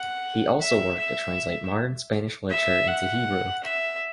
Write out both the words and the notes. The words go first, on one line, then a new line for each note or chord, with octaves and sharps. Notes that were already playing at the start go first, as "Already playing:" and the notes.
He also worked to translate modern Spanish literature into Hebrew.
Already playing: F#5
E5
E5
E5
F#5
E5